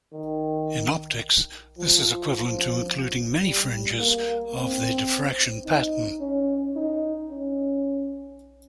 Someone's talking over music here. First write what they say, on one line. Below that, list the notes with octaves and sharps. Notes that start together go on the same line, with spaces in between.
In optics, this is equivalent to including many fringes of the diffraction pattern.
D#3
F3
G3
A#3
C4
D#4
C#4
D#4
C#4